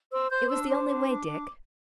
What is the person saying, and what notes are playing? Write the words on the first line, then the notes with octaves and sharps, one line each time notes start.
'It was the only way, Dick.
C5 E6
C5 G6
D4 E6
C5 D6
D4 D6
D4
D4